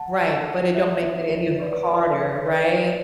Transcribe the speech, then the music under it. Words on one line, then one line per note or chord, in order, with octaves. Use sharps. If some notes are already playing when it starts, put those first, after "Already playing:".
Right, but it don't make it any ha harder. Right?
Already playing: F#5 A5
C#5 E5
B4 D5
B4 D5